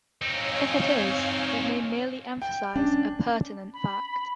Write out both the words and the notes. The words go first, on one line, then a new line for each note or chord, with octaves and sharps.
If it is, it may merely emphasize a pertinent fact.
C4 D#4 C#5 F5 G#5
G5
C#4 D4
B5